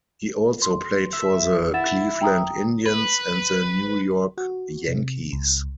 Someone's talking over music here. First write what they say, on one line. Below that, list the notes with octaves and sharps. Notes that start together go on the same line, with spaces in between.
He also played for the Cleveland Indians and the New York Yankees.
C6
E5
E4 F#5 A6 E7
G5 A#5 D#6
B4
F#4
C3
C#2